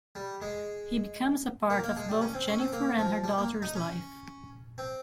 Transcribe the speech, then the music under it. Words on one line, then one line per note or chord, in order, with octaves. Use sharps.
He becomes a part of both Jennifer and her daughter's life.
G3
G#3
A#3
A#3
G#3
G3
C#4
C4
C#4
C4
A#3
F3
G3
A#3
D#4
C#4
C4